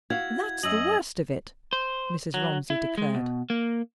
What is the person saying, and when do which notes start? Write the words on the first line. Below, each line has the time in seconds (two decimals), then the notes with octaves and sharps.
"That's the worst of it!" Mrs. Romsey declared.
0.10 E4 F#4 F5 G#6
0.63 F#2 D#5 E6 F#7
1.73 C5
2.34 F#3
2.70 E4
2.98 G#3
3.15 B2
3.50 A#3